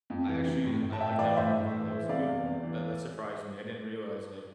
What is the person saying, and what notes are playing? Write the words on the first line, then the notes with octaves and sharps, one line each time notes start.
I actually, I like that one a lot, that was a good one, that that surprised me. I didn't realize, like,
F2
E3
C3
A2
A2
A5
A2 E5 G5
E3 D5 F5
A2 C5 E5
A2
E3
E3
C3 D5 F5
E2
E2
E3